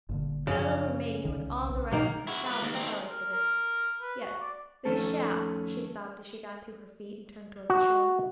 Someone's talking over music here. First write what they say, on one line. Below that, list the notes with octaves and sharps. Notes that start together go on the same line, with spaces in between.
"But Elinor Mayhew and all the rest of them shall be sorry for this. Yes, they shall," she sobbed as she got to her feet and turned toward the shore.
G1 A#2 D3
F#2 C#3 F3 C#4
C2 D#3
B1
B2 D#3 A#3 C#5
E4 F#4
F4 B4
D#2
C4 D#4
A#4
A#4
B4
F#4
D5
F2 D#3 A3 C#4 A4
F#4